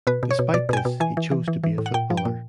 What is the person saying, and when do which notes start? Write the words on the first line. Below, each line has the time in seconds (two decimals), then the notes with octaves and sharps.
Despite this, he chose to be a footballer.
0.07 B2 B4
0.23 B2
0.31 C#5
0.39 B2
0.54 B2 D5
0.69 B2 G#5
0.77 G5
0.85 B2
1.00 E3 G#5
1.17 E3
1.31 E3
1.48 E3
1.63 E3
1.78 A2
1.86 F#5
1.94 A#2 G5
2.10 F3
2.17 G5
2.25 A#2